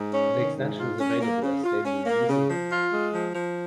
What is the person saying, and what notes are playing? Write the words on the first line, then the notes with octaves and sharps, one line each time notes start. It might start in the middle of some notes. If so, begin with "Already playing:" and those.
The extension is available as stable releases and nightly builds.
Already playing: G#2
C#4
D#3
G#2
F4
C#4
A#3
C#3
F4
C#4
A#3
C#3
F3
F4
G#3
F3
F3